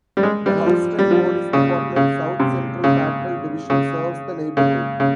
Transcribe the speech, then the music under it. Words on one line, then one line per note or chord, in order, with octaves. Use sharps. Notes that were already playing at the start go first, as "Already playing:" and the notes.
The Houston Police Department's South Central Patrol Division serves the neighborhood.
G3
G#3
G3
F3
G3
F3
C#3
C#3
C3
C#3
C#3
C#3
C#3